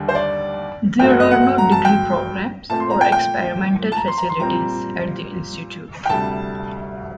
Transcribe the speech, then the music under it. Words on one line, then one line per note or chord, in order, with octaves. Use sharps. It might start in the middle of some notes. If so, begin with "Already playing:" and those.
There are no degree programs or experimental facilities at the Institute.
Already playing: D#2 D3 G3
C5
D5
G2 F#3 A3 C4 G5
F#5
D#5
F#5
A#5
A5
G5
A#2 A3 C4 A5
C6
A#5
G5
G5
A5
A#5
C6
A#5
C6
A#2 G3 C4 A#5
G5
D2 C3 G3 A5